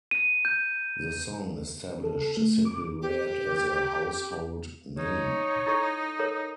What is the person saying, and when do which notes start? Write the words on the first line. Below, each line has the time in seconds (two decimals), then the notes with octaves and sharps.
The song established Simply Red as a household name.
0.11 D#7
0.45 G6
2.04 A4
2.37 A3
2.65 D6
3.02 G4
4.97 D#4 C#5
5.67 E4 A4 C#6
6.19 A4 A#4 C#5